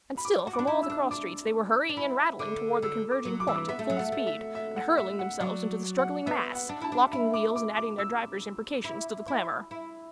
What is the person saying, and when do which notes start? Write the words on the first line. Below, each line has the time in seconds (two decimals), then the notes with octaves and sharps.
And still from all the cross streets they were hurrying and rattling toward the converging point at full speed, and hurling themselves into the struggling mass, locking wheels and adding their drivers' imprecations to the clamour.
0.17 B5
0.25 D6
0.47 F#4
0.53 D6
0.59 D4
0.67 E4
0.83 E6
0.90 D4
1.11 D4 D6
1.89 D4
1.97 E4 B5
2.39 D3 D6
2.82 D3 E6
3.11 D6
3.25 F#3
3.40 D6
3.47 E3 E6
3.56 D6
3.68 B3 E5
3.79 A3
3.90 F#3
3.97 A3 F#5
4.12 A3
4.27 E5
4.55 E5
4.76 F#5
4.97 E5
5.19 F#5
5.40 F#3 D5
5.98 F#5
6.26 B3 E5
6.55 F#5
6.69 D4
6.81 E4 A5
6.92 D4
7.12 E4 B5
7.34 D6
7.56 D6
7.76 D6
7.98 E6
8.84 E4
9.28 E4
9.71 E4